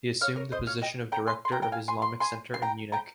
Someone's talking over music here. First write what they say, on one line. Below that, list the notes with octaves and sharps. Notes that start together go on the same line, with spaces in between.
He assumed the position of Director of Islamic Centre in Munich.
C#5 F5
A#4 C#5
C5 D#5
C#5 F5
D#5 G5
G5 A#5
G#5 C6
C6
G5 A#5
G5 A#5
F5 G#5
G#5 C6
C6
G#5 C6
C6
G5 A#5
G5 A#5